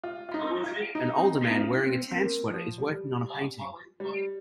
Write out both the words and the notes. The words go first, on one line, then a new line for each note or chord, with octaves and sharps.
An older man wearing a tan sweater is working on a painting.
F4
F4
D#4
F4
D#4
C4
D#4
D#4
F4
C4
C4
A#3
F3
G3
G3